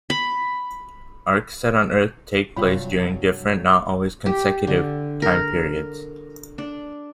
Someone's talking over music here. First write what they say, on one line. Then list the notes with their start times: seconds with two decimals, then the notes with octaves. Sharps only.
Arcs set on Earth take place during different, not always consecutive, time periods.
0.10 B5
2.57 G2 C3 F#3 F4 G5 B5
4.26 G4
4.67 D3
5.22 A#4
6.58 D4